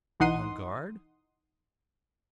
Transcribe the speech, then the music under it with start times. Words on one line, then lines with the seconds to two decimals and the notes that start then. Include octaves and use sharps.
"On guard?"
0.20 B1 E3 D#4 F#5 C6 D#6